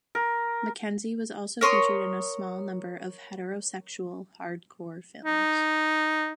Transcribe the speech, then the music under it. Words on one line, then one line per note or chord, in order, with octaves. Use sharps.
McKenzie has also featured in a small number of heterosexual hardcore films.
A#4
A#4 C#5 C6 D#6
D#4